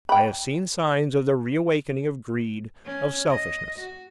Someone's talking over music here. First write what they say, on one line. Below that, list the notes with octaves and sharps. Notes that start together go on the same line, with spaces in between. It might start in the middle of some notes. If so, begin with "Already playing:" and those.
I have seen signs of the reawakening of greed, of selfishness.
G5 B5
C#4
D#5
F#4